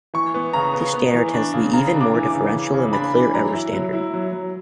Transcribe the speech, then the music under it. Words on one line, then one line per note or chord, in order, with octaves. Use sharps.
This standard tends to be even more deferential than the "clear error" standard.
E3 C#6
B3
C#3 A#5
B3
B3
E3
D4
C#3
C#3 A#5
D4
D6
E3
D6
C#3
E3
C#3
D4 B5
E3
F#3 A#5
E4
F#3
E4
F#3
F#3